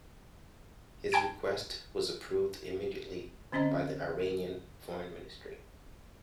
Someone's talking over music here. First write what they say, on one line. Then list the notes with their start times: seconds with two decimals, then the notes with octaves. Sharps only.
His request was approved immediately by the Iranian Foreign Ministry.
1.12 G5 A5 G#6 D7
3.52 D3 C4 C#4 C5 D#5